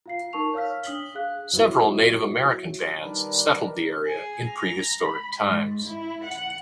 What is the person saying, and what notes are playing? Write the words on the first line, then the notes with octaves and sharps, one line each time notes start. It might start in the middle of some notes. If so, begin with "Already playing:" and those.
Several Native American bands settled the area in prehistoric times.
F4 F5 C7
D#4 A#4 A5 C#6 F7
C#5 F5 E6 F6 B6
D4 D#6 B6 F#7 G7
G#4 F5 F#6
F#3 B3 E4
D#3 G3 D4 A#4 B4 D5
G#4
A#5
B5
G#2
E4
F#5